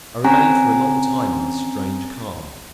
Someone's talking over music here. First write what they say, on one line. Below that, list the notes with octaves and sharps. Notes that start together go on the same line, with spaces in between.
I remained for a long time in this strange calm.
C4 C#4 G#5 A#5